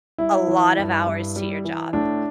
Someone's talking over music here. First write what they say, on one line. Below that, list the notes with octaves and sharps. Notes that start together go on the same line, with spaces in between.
a lot of hours to your job.
G3 E4
E3
G2
G2
G3
E3
A2 D4